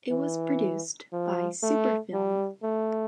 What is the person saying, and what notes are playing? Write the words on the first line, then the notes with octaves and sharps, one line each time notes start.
It was produced by Super-Film.
E3
F3
A3
G3
A3